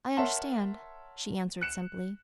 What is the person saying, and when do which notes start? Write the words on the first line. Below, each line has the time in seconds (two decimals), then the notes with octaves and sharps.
"I understand," she answered simply.
0.17 A#4 C#5 E5 F#5 A5 C6
1.61 F#6 C#7 E7